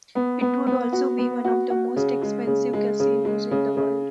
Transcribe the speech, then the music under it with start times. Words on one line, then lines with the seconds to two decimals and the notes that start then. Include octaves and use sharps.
It would also be one of the most expensive casinos in the world.
0.15 B3
0.41 B3
0.67 B3
0.92 F#4
1.18 B3
1.44 F#4
1.70 F#4
1.96 C#3
2.22 G#3
2.47 C#3
2.73 G#3
3.00 C#3
3.25 G#3
3.51 C#3
3.77 C#3